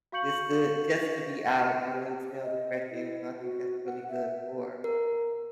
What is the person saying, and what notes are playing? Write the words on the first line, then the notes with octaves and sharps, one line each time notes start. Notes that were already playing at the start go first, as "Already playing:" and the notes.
just to just to be out, you know, and smell the fresh air. So, I think that's really good for,
F#4 F5 C#6 G6 C#7 F#7
G4
D#5
E4
F#4
F#5
E5
A#4